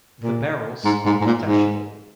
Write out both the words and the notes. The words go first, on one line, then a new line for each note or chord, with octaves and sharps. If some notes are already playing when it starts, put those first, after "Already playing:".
The barrels are detachable.
A#2
G#2
G#2
G#2
A#2
G#2